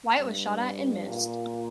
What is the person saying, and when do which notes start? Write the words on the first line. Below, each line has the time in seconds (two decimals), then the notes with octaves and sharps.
Wyatt was shot at and missed.
0.18 G2
1.08 A#2